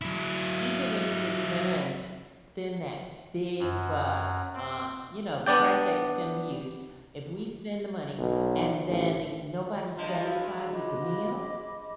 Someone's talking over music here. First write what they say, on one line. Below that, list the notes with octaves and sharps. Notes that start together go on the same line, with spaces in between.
even if you're gonna spend that big buck, uh, you know, the price tag is gonna be huge. If we spend the money, and then the nobody's satisfied with the meal?
F#3 E4
F#2
C4
B3 D4 D5 G5
B1
A1
G2 F3 G#3 D#5 C6
E4 F#4
D#5 B5 D6